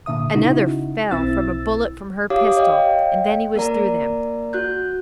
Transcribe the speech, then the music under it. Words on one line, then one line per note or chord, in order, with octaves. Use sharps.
Another fell from a bullet from her pistol, and then he was through them.
A#2 D3 E5 D#6
C#3 D#4 E4 F#4
B1 C4 E4 E6 A6
G4 C#5 F5 D6 D#6
C#5 D#5 F5 G5
A#3 A#4 D5 A#5
F#4 F#6 G6